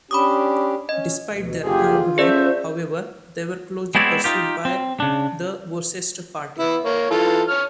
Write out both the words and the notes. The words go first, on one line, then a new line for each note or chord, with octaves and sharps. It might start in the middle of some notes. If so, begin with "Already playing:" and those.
Despite their agreement, however, they were closely pursued by the Worcester party.
C#4 D4 G4 B5 D6 D#6
C#4 D#5
D2 B2
F#1 D3 F4 G4 G#4
C#4 G#4 A4 C5 D5 E5
G#3 B3 C4 E4 C#5 D5
D#4 F4 G4
C4
C#3 D4
B3 E4
A#3 C#5
E3 F4 A4
C#5 F6